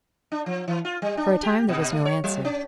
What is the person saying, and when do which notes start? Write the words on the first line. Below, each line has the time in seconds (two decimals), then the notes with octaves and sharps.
For a time there was no answer.
0.32 D4
0.46 F3
0.68 E3
0.85 F4
1.02 G3
1.17 D4
1.43 G4
1.69 A#2
1.92 A3
2.05 C#5
2.24 F#3
2.45 C#4